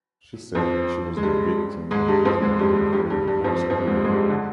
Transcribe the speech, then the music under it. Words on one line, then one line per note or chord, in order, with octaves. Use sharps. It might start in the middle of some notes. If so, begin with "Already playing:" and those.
She said she was the victim and wasn't given a fair divorce hearing.
F2 F3
G#3
G2 G3
G#2 G#3
G2 G3
F2 F3
G#2 G#3
G2 G3
G2 G3
G2 G3
G2 G3
F2 F3
F2 F3
G2 G3
G#2 G#3
G2 G3
G#2 G#3
G2 G3
D3